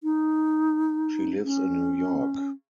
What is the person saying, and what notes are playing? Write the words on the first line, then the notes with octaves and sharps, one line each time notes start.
She lives in New York.
D#4
C#4